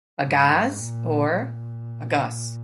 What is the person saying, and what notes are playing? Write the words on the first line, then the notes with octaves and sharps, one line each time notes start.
"Ughaz" or "Ugas".
G#2
A#2
A#2